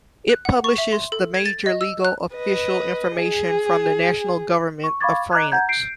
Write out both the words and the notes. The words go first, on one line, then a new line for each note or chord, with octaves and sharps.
It publishes the major legal official information from the national Government of France.
F#6
F#5
C#6
E5
C6
A4
G#6
A6
D#5
E6
F#6
B4 D#5
G#4
C#6
F5 B5 C#6 D6 G#6 A6
D#5 A#5 D6 F#6 G#6
F#5 A#5 G6 G#6
G6 C7 D7